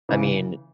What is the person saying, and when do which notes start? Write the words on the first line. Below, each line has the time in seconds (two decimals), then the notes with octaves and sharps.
I mean,
0.09 C#3 E3